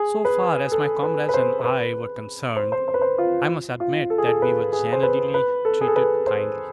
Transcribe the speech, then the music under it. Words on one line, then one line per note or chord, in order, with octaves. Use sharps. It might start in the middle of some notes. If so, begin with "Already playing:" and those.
So far as my comrades and I were concerned, I must admit that we were generally treated kindly.
Already playing: G#4
B4
A4
B4
B4
C5
C5
B4
C5
C5
C5
B4
C5
F4
F4
A4
G#4
A4
B4
G#4
C5
B4
B4
A4
G#4
A4
B4
C5